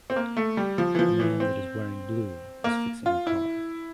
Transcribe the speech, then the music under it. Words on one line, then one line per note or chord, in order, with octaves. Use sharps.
A man that is wearing blue is fixing a car.
C4
A#3
A3
G3
F3
E3
F3
E3
C4
A#3
F4
E4